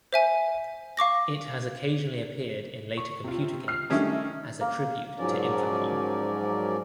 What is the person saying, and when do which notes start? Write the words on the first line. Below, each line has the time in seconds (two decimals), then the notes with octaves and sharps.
It has occasionally appeared in later computer games as a tribute to Infocom.
0.13 C5 E5 G#5
0.97 F5 C#6 D6 A#6
2.97 C#6
3.24 C3 F4
3.68 F6 C7
3.90 D#3 G3 A3 C#4 D4 E4
4.61 A#3
5.18 G#2 F3 F#3 C#4 A#4 D5